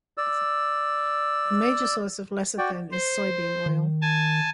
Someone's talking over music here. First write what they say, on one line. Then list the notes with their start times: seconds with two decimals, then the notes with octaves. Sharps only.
A major source of lecithin is soybean oil.
0.18 D5 E6
2.58 F#4 D5 G5
2.92 C5
3.66 D#3
4.02 G#5 A5